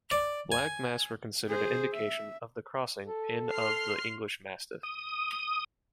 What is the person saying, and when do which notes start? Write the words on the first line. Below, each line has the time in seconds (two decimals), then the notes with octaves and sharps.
Black masks were considered an indication of the crossing in of the English Mastiff.
0.11 D5
0.52 G#5
1.48 G#4 C5
1.93 E5
3.05 A4
3.52 C6 F6 C7
4.83 D#6